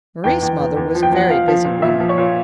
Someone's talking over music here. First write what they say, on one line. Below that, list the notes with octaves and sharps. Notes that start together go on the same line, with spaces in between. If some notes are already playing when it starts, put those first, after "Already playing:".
Mari's mother was a very busy woman.
E2 G5
E2 G5
E2
E2
F3
G5
F3 F#5
F3 F5
F3
A#2
A#2 E5
F3
C#5
A#2